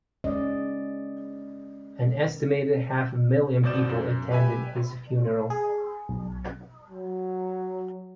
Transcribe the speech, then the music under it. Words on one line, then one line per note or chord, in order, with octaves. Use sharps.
An estimated half a million people attended his funeral.
G#3 C#4 D5 D#5
G1 B2 C4 D5 G6 E7
F#2
G4 B4 E5 G#5
G#4
B1
F#3